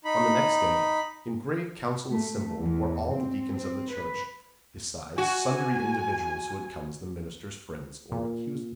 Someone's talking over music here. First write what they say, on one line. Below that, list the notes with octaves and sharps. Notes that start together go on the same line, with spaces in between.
On the next day, in grave council assembled were all the deacons of the church, besides sundry individuals who had come as the minister's friends or accusers.
D#4 B5
A3
E2
C4
C4
B4
F#4 G#5
A#2